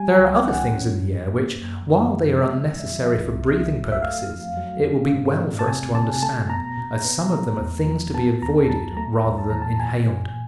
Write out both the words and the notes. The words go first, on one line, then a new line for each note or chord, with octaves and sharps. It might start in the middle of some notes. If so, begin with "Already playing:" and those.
There are other things in the air which, while they are unnecessary for breathing purposes, it will be well for us to understand, as some of them are things to be avoided rather than inhaled.
Already playing: G3 G#5
G#5
C#2 G5
E3 F#5
C#4
G#2
A#3
F#2
F#2
F3
G#3 E5
F2
F3
C2
C2
F#3
E5
A3 F5
F2
F#3
C#4
G#2
A3
A5
C3 G#5
C3 A5
A3 A5
B2 A#5
B2
B3
A3
E2
F3
B3 A5
D#2 A#5
F#3 A5
A3 A#5
E2
A5
E3 A#5
A5
A#2 G#5
A#2